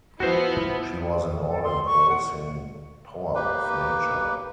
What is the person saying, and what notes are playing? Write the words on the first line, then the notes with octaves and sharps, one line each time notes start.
She was an all-embracing power of nature.
F3 B3 E4 F#4 C5
A4
C6
C#6
F#5
A#3 D#4 G4 B4